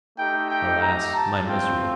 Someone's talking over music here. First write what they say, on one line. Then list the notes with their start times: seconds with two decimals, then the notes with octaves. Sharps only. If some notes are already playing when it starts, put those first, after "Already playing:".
'Alas! my misery!
0.17 A3 D#4 G4 G5
0.49 G5
0.81 A#5
1.14 A5
1.46 A3 C4 F4 G5